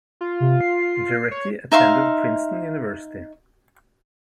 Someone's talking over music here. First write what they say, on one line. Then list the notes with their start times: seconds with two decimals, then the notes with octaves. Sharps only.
Jarecki attended Princeton University.
0.21 F4
0.40 C3
0.61 C7
1.31 C#5
1.72 D#4 E5 F5 C6